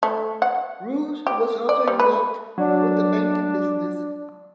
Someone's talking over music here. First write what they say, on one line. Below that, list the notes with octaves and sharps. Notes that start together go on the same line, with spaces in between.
Roos was also involved with the banking business.
A3
F#5
G4
D5
G3
B4
F#3 D4